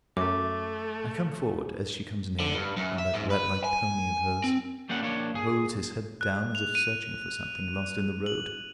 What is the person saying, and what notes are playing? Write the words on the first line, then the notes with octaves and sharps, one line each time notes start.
I come forward as she comes near, on that rat-like pony of hers, who holds his head down as if searching for something lost in the road.
F#2 A3 E5 D6
D3
G2
F#2
E5
G#2
B4
G#5
C4
G3 A#3 C#4 F#5
A#3 D4 C#5
G#4
F#6
F7
D#7
F#7